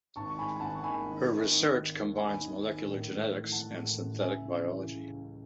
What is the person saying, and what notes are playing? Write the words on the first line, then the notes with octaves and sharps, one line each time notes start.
Her research combines molecular genetics and synthetic biology.
G#1 A5 C#6
C#6
G#2 G#5 B5
G#5
G#1 F#5 A5
C#6
D#3 G#5 B5
D#3
G#1
D#3
D#3
D#2
D#2 G#5 B5
D#3
D#3
A2
A2
E3
E3 F#5 A5
A2
A1
C#2 E5 G#5
C#3
E3
C#3
C#2